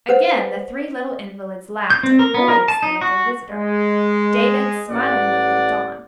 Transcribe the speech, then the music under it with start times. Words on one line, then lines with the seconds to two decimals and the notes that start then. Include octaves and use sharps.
Again the three little invalids laughed uproariously at their visitor. David smilingly looked on.
0.09 B4 C5 F#5
1.90 G6
2.03 C4
2.19 A#4
2.34 B3
2.48 A#4
2.68 A5
2.83 D#4
3.01 F#4
3.51 G#3
4.90 A1 D5 F#5